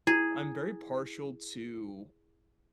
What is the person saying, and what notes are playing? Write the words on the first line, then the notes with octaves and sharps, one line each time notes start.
I'm very partial to
E4 G#4